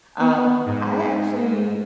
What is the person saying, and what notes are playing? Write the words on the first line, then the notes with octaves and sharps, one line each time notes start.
um, I actually
B3
G#2